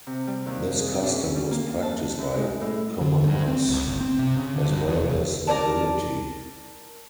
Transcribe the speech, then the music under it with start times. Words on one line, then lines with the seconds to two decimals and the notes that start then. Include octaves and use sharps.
This custom was practised by commoners as well as nobility.
0.07 C3
0.27 G3
0.46 D#2
0.79 G#4
1.03 D4
1.16 C#4
1.36 G3
1.51 A#3
1.82 A5
2.18 F#2
2.37 G#3
2.61 A2
3.01 D3
3.24 G2
3.48 C4
3.69 C#2
3.86 G1
4.01 C4
4.19 C3
4.37 C#3
4.56 D3
4.71 G2
4.86 E2
4.99 F1
5.47 A#4 C5 D5 A5